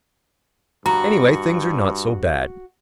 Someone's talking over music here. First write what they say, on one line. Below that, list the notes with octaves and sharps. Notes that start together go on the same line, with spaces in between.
Anyway, things are not so bad.
G2 F#4 A#5